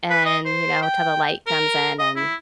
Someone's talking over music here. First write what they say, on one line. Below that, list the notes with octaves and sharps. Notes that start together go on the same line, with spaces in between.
and, you know, till the light comes in and
B4
D#5
C5
G5
A#4
D#5
E4